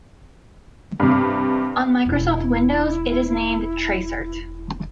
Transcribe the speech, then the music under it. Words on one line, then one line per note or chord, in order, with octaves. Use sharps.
On Microsoft Windows, it is named "tracert".
G2 C3
E1 E4